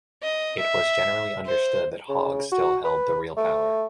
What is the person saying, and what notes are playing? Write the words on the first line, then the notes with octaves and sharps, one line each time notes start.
It was generally understood that Hague still held the real power.
D#5
E5
C5
C#3
F#4
B4
A3